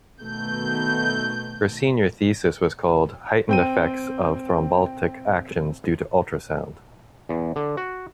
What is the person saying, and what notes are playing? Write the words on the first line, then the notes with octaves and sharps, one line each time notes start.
Her senior thesis was called "Heightened Effects of Thrombolytic Actions Due to Ultrasound".
B2 D#3 A3 G6
C4 G5 D#7
E2
D3
F#4